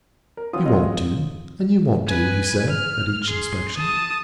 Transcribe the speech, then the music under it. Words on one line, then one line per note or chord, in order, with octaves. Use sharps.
'You won't do, and you won't do,' he said, at each inspection.
A#4
E3 F#3 C4 F4 D#6
F#3 G#3 F4 D#5
B4 G#5
F6
G#4 C6
A5 D#6